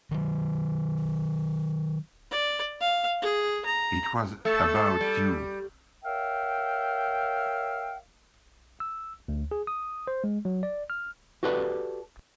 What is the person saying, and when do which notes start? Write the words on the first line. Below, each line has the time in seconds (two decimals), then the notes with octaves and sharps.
It was about you.
0.11 D#3 F#3
2.31 D5
2.81 F5
3.22 G#4
3.65 A#5
4.45 A3 A4
5.01 G3
6.04 A#4 C#5 E5 F5 G5
8.80 E6
9.28 D2
9.51 G#4
9.67 D#6
10.07 C5
10.24 G#3
10.45 F#3
10.63 D5
10.90 F6
11.43 F#4 G4 A4 B4 D5